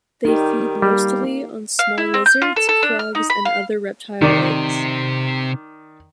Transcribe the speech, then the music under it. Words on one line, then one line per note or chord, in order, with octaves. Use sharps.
They feed mostly on small lizards, frogs, and other reptile eggs.
D#3 G3 D#4 G4
G3 A#3
F5
E4
C4
G6
F4
A4
A4
D4
F6
D#4
B5
F5
C3 D#3 D5